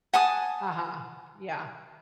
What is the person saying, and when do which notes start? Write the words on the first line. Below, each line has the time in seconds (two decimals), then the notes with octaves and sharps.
Uh-huh, yeah.
0.13 F#5 G#5 A5 D#6